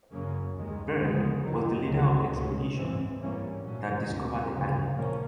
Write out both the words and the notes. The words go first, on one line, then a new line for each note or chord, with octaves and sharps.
Byrd was the leader of the expedition that discovered the island.
F#2 C#3 F#3 A#3 C#4
D#2 D#3 G#3
D2 C#3 F3 G#3 B3
F#2 D#3 F#3
C#2 C#3 F#3
C#2 B2 G#3 C#4
G#2 E3 G#3 C4
G#2 E3 G3 A#3 C#4
A#2 F#3 A3 C#4
D2 C3 D#3
D2 C#3 F3
A#2 F3 A#3 C#4